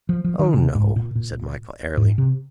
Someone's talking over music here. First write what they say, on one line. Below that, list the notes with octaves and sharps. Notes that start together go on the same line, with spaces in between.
"Oh, no," said Michael, airily.
F3
F3
D#3
C3
G#2
A#2
A#2
G#2
C3